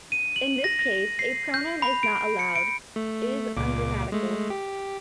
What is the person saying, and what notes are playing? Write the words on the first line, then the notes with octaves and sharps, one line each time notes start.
In this case, a pronoun is not allowed: is ungrammatical.
D#7
F#7
A#6
A#6
C7
G6
B5
D7
C#7
D7
A3
C#2 A#2 D6
G#3 A3
G4